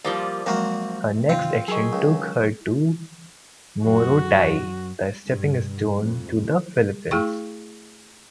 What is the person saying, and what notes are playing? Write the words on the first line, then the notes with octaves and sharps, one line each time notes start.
Her next action took her to Morotai, the stepping stone to the Philippines.
F3 G3 A#3 C5 D5 D#6 A6
F3 F#3 G#3 A#3 C4 F#4 A#4
G2 C3 D#3 C4 F4
F#3 G#4 A#4 D#5 G5 C#6 E6
C#2
F#2 F#4
G2
F2
A3 E4 G#4 G5 C#6